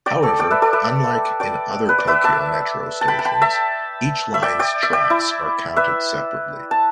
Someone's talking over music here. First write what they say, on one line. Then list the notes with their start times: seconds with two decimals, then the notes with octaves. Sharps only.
However, unlike in other Tokyo Metro stations, each line's tracks are counted separately.
0.06 D5 G5
0.23 A4 D5
0.39 D5 G5
0.51 B4 E5
0.62 A4 D5
0.73 B4 E5
1.40 D5 G5
1.89 B4
1.98 D5
2.08 B4 E5
2.24 E5 A5
3.01 A5
3.08 G5 B5
3.19 A5
3.25 G5 B5
3.41 E5 A5
4.34 E5
4.42 D5 G5
4.59 D5 G5
4.83 E5
4.93 D5 G5
5.10 E4
5.76 B4 E5
6.71 A5